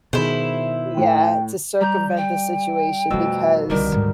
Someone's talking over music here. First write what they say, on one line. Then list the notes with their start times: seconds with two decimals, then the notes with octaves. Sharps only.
yeah, to circumvent the situation because
0.13 B2 D#3 E4 G#4 C5
0.97 A2 G5
1.81 G3 A#5 G6
2.17 G5
3.10 F2 B2 G3 A3 E6
3.70 C2 D3 D#3 G3 A#4
3.92 D2 G#2